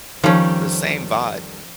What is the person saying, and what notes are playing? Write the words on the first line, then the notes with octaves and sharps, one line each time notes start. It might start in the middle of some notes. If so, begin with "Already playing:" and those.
the same vibe."
F2 D#3 F3 G3 C#4